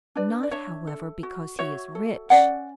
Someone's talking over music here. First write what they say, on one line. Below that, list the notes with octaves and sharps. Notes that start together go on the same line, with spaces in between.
"Not, however, because he is rich."
D4 B4 D5
D5
D4 C#5 E5
A4
F#4
F#4 C#5 E5
A4
C#4 D5 F#5